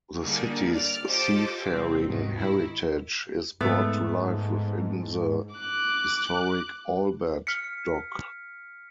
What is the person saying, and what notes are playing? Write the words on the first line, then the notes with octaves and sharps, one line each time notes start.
The city's seafaring heritage is brought to life within the historic Albert Dock.
D3 G3 A#3 D4 D#4 G#4
D5 F6
F4 G4 A4 C5 D#5 D6
C2 C4
G#1 B2 D#3
D#3 E4
G#2 A3 B3
D6 F#6
F6 B6 C#7